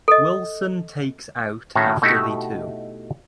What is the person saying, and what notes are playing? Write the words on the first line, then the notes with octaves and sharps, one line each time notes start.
Wilson takes out after the two.
A4 D#5
A2 D#3 C#4 F#4 A4 F5
B2 A3 D#4 E4 F#4 G4